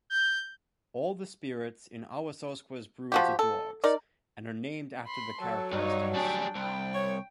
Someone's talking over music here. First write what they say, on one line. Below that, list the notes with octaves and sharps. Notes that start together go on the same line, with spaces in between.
All the spirits in Awasosqua's broods are dogs, and are named after their characteristics.
G6
F3 F#4 G4
A4
D#4 A#4 D5
B5 C6
F#3 A4
G2 D#4 C#5
G3 D4 G#4 G5
C2 G5
C#5